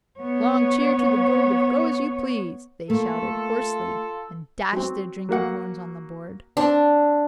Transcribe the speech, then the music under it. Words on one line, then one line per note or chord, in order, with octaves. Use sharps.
"Long cheer to the Guild of Go-as-you-Please!" they shouted, hoarsely, and dashed their drinking-horns on the board.
B3 C#5
A3 A#3 F4 A4
F#3 C4
F#3 A#3 F#5
C4 D4